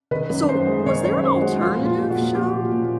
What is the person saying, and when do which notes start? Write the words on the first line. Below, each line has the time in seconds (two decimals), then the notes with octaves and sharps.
so, w was there an alternative show
0.11 D#3 B4
0.30 F#2
0.48 F#2 C5
0.67 G#3
0.86 D#3 C#5
1.04 F#2 C#5
1.23 F#2 C5
1.41 G#3 F#4
1.61 F3 F4
1.79 A#2
1.85 F4
1.98 A#2
2.10 F#4
2.16 A#3
2.35 F3 G4
2.54 A#2
2.72 A#2